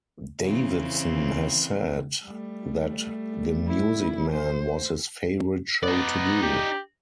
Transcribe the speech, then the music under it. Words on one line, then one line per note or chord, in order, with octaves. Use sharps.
Davidson has said that "The Music Man" was his favorite show to do.
C#3 E3 C4
G3 A3
E4
C5
B3 D#4 D5
G4